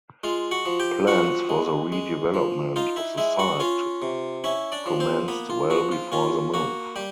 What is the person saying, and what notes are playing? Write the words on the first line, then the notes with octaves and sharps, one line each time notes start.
Plans for the redevelopment of the site commenced well before the move.
G#3 F4 F5
F#4 F#5
F3
G4 G5
F3 F#4 F#5
G#3
G#3
F3
D#4 F4 F5
E4 E5
G#3 E4 E5
F#4 F#5
C#4 F4 F5
C3
C#4 E4 E5
D4 D5
F3
C4 C5
A#3 B3 B4
F4
F3 F#4
F4
C#4 F4
A#3 F#4
G3 G4